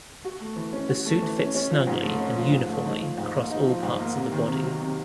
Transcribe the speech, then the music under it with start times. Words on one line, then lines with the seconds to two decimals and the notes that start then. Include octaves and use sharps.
The suit fits snugly and uniformly across all parts of the body.
0.25 F#4
0.40 A3
0.56 E3
0.73 C#4
0.89 F#4
1.05 A3
1.22 E3
1.38 C#4
1.55 C#4
1.71 F3
1.87 G#2
2.03 A3
2.20 C#4
2.37 F3
2.52 G#2
2.69 A3
2.85 D#4
3.01 F3
3.18 G#2
3.33 A#3
3.50 D#4
3.66 F3
3.83 G#2
4.00 A#3
4.15 C3
4.32 D#3
4.47 C3
4.64 F#3
4.81 C3